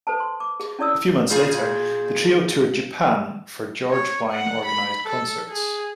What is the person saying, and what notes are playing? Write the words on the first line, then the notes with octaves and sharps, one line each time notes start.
A few months later, the trio toured Japan for George Wein-organized concerts.
A4 B4 C5 A5
C6
D6
G#4
C#4 E4 C#5 D5 D#6 E6
A#2 F4 G#4
C#5
F#5
B5
A4
G#4